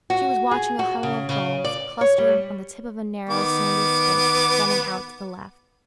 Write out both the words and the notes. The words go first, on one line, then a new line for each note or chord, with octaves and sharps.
She was watching a huddle of gulls clustered on the tip of a narrow, sandy spit running out to the left.
F#4
G#4
F#4
C#3
C#3
D5
C#5
G3
D#3 B3 D6